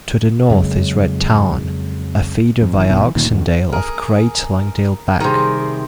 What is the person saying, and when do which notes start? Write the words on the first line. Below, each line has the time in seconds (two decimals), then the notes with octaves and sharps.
To the north is Red Tarn, a feeder via Oxendale of Great Langdale Beck.
0.50 F2 C#3 F#3 G#3
2.62 F2
2.74 F#1 E3
2.89 G#1 D#2 B2 D#3
3.02 E3
3.15 D2 A#2 D#3
3.31 E2 D3
3.72 G#4 A#4
5.20 C3 D#3 G3 G#4 A#4 C5